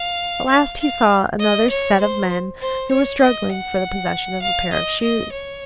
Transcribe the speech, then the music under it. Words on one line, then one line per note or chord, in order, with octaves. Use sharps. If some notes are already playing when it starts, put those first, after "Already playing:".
At last he saw another set of men, who were struggling for the possession of a pair of shoes.
Already playing: F5
F5
F5
D#5
C#5
C5
C5
C#5
D#5
F#5
F5
D#5
D#5
C#5